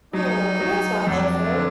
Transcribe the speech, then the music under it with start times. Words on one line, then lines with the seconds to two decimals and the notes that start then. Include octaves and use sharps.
Oh, and that's not helpful.
0.13 F#3 D#4
0.60 F#3
0.99 D#4
1.07 F2 D4
1.54 D3